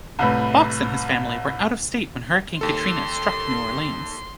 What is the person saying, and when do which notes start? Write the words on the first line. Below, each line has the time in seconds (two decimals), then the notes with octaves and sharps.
Fox and his family were out-of-state when Hurricane Katrina struck New Orleans.
0.19 C2 A2 B4
2.61 D#2 A4 C6